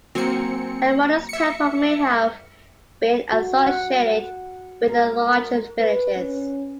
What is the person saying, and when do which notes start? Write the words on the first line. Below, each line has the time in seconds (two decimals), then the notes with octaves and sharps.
A modest temple may have been associated with the larger villages.
0.15 F#3 A#3 C4 G#5 C#7
1.29 E5 C#7
3.33 F#4
3.67 F#5
4.88 A#4
5.80 B4
6.16 C#4